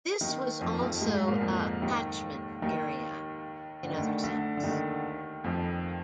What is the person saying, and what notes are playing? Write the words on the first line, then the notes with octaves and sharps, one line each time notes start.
This was also a 'catchment area' in another sense.
D#2 D#3
F2 F3
F2 F3
G#2 G#3
G#2 G#3
A#2 A#3
F2 F3
D#2 D#3
D#2 D#3
D3
D#3
D2 D3
D2 D3
D3
D#2 D#3
F2 F3